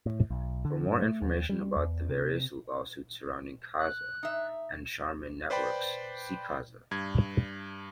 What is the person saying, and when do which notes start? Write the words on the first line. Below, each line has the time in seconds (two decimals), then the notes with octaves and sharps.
For more information about the various lawsuits surrounding Kazaa and Sharman Networks, see Kazaa.
0.06 A2
0.30 B1
0.65 D3
0.86 G2
1.02 A3
1.22 D#2
1.49 G3
1.76 E2
2.09 C3
3.79 F#6
4.23 D#4 E5
5.50 B4 C5 D5 G5 B5
6.91 G2 G#6